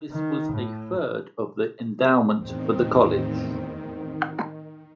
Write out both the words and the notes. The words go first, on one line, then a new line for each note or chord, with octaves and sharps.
This was a third of the endowment for the college.
D#3
A2
E2 A2 D#3 C4